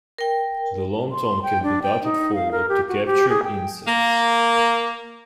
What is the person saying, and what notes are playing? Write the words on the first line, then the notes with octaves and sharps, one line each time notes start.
The long tongue can be darted forward to capture insects.
A#4 G5
C6
G5
D4
G5
D#4
F5
A#4
G4
F#4
G4
G#4
G5
A#3